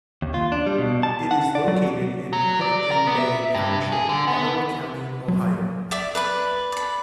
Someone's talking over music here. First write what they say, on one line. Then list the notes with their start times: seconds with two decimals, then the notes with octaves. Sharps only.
It is located in Put-in-Bay Township, Ottawa County, Ohio.
0.22 D#2
0.34 F4
0.52 D4
0.67 G3
0.78 B2
1.03 A5
1.31 F#5
1.55 D5
1.68 F#3
2.33 F#3
2.61 D5
2.91 A#4
3.07 B3
3.19 E5
3.54 G2
3.92 G#4
4.09 D3
4.27 B3
5.28 F#3
5.91 D5 E5 D6
6.15 B4 D5 B5
6.72 D5 B5